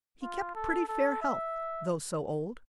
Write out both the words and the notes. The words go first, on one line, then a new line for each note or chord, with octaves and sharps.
He kept pretty fair health, though so old.
F4
A4
A4
E5